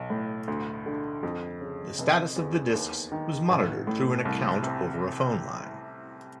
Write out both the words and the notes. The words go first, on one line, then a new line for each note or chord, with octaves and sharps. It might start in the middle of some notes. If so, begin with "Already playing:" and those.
The status of the discs was monitored through an account over a phone line.
Already playing: B1
A2
D2
D3
F2
C#3
F1
E2
D#2
D#3
A1
A2
C2
C3